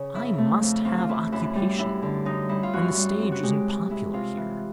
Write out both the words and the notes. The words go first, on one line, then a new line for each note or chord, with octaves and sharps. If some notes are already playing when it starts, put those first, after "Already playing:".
I must have occupation, and the stage isn't popular here.
Already playing: C#3
F2 E4
A3
F2
F2 F4
F4
F2 E4
F#2 E4
G3
F#2 E4
D3
F#2 D#4
G3 E4
F4
F#2 F#4
G3
C4
F#4
G#3 G4
C3
G#3 E4
C3 F4
E3